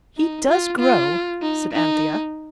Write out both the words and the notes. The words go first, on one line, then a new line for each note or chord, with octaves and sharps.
'He does grow,' said Anthea.
D#4
F4
F4
D#4
D#4